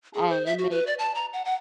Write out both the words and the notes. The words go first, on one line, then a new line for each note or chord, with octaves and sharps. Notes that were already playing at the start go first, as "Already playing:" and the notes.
And it make
G#4
C5
E5
F#4
B4
D5
A5
A#5
F#5
F#5